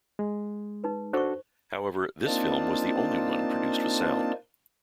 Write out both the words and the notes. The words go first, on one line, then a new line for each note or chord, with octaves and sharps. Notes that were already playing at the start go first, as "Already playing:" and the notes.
However, this film was the only one produced with sound.
G#3
D#4 B4
D4 F#4 A4 C5 C#6
A#3 C4 D4 D#4 F4 A5